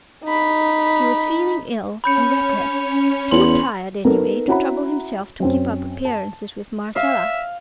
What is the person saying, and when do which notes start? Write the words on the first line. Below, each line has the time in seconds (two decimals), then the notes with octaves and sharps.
He was feeling ill and reckless; too tired anyway to trouble himself to keep up appearances with Marcella.
0.24 D#4 B5
2.04 C#4 C#5 B5 G6 C#7
3.31 E2 C6 F#7
4.05 B3 D#4 A4 A#4
4.47 C#4 E4 F#4 F#5 A#5 B5
5.40 F#2 C4 C#4
6.05 A5
6.96 E5 F5